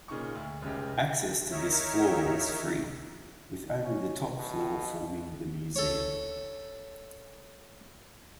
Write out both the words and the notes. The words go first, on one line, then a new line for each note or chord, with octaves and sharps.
Access to this floor was free, with only the top floor forming the museum.
A#2 C#3 D#4 C#6
D2
F1 C#2 C#3 G4
D#4 A#4 C#5 E5
C#4
B2
A4 C#5